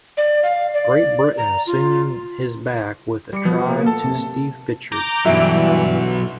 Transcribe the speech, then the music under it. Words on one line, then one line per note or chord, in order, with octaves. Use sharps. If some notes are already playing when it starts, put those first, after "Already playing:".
Great Britain soon his back with a try to Steve Pitchford.
D5
F5
D5
A#5
F4
G3 D6 C#7
B2 F3 B3
A#3
A4 A5
C3
A#5 D6 G6
G2 B2 E3 F#3 E5 D7